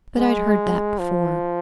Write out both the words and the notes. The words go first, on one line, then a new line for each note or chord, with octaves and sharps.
But I'd heard that before.
G#3
F3